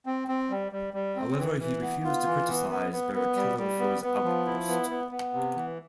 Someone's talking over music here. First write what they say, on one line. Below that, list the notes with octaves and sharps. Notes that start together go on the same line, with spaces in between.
However he refused to criticize Barrichello for his outburst.
C4
C4
G3
G3
G3
C4
E3
E3
B3
F4
E3
B3
B3
B3
B3
G3
G3
B3
B3
F3
E4
B3
B3
B3
C3
E3